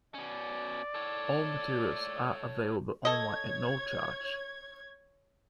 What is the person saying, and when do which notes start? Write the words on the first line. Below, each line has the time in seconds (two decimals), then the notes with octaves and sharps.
All materials are available online at no charge.
0.14 B2 C#4 D5
0.95 A4 C#5
3.05 A4 C#5 D#5 G#6